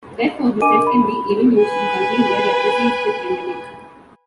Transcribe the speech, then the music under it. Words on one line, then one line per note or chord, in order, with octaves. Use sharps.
Therefore, this test can be even used in countries where leprosy is still endemic.
D4 A#4 D#5 G#5 D6 D#7
B5
B4 G#5